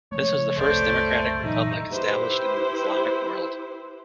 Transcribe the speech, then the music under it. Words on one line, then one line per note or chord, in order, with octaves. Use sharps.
This was the first Democratic Republic established in Islamic World.
C#3 F3 A3 C#5
F#1 C2 A3 C5 D5
A#2 E3 F#3 D#4 E5
E4 G4 B4 C5